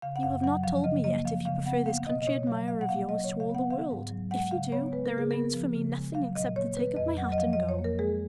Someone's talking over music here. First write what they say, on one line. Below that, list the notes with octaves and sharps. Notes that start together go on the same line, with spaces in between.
You have not told me yet if you prefer this country admirer of yours to all the world; if you do, there remains for me nothing except to take up my hat and go.
C#3 F5
F#5
F#2 F5
F#3 F#5
F3 F5
C#3 D#5
A#3 D#5
F3 F5
C#3 F5
B3 F#5
A#3 F5
B2 D#5
D#5
B2 C#5
F#3 F5
A#2 F5
F#5
A#3 F5
F#3 D#5
C#5
C#3
F5
B3 F#5
D#3 F5
G#2
F#3
G#3 F#5
C#3 F5
B3 C#5
G#3 B4
A#4
C#3 G#4
B3 A#4
F3
C#3
G#3
F#3 F5
A#2 D#5
A#3 C#5
D#3 B4
F2 D#5
F#3 F#5
D#5
F3 F5
D#5
F2
C#5
A#3
A#4
G#3 G#4